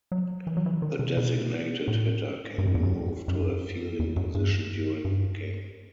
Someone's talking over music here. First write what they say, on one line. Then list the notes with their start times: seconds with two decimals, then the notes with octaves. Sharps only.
The designated hitter can be moved to a fielding position during the game.
0.12 F#3
0.47 E3
0.57 F#3
0.66 E3
0.82 D#3
0.99 C3
1.17 B2
1.88 A2
2.58 G2
2.66 F#2
2.75 E2
2.83 F#2
3.28 F#2
3.99 E2
4.16 F#2
4.34 G2
5.05 G2